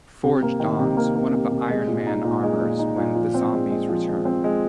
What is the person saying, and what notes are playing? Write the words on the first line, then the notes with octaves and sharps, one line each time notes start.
Forge dons one of the Iron Man armors when the zombies return.
C3
A#3
D#3
C3
A#3
A#3
C3
C3
G#3
A#2
D#4
A#2
G#3
A#2
D#4
A#2
F3
C4
G#3
G#3
F3
G#3
C4
G#3